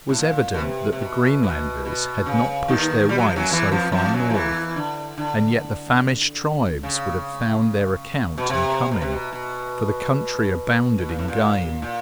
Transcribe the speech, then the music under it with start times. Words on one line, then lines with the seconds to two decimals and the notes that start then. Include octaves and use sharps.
It was evident that the Greenlanders had not pushed their way so far north, and yet the famished tribes would have found their account in coming, for the country abounded in game.
0.09 A2
0.18 A#2
0.54 B2
0.60 C3
0.93 C3
1.02 B2
1.43 B2
1.85 B2
2.26 C#3
2.68 D#2 D#3
3.09 G3
3.18 F#3
3.27 F3
3.36 F#2 F#3
3.51 E2 E3
3.72 F2 F3
3.92 F2 F3
4.13 F#2 F#3
4.30 F3
4.34 E2 E3
4.76 D3
5.18 D3
6.83 C#3
8.38 B2
8.50 C3
8.91 B2
9.01 C3
9.13 B2
9.33 B2
10.98 B2
11.09 A#2
11.19 A2
11.28 A#2
11.82 A#2